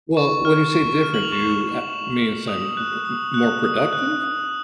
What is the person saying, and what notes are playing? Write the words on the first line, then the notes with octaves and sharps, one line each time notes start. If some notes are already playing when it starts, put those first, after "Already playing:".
Well, when you say "different," do you, ah means, "I'm m m m more productive?"
C#6
F6
C#6
F6
F#7
F7
C#6 E7
F6
C#6
F6
D#6 F7
F#6
D#6
F#6
D#6
F#6
D#6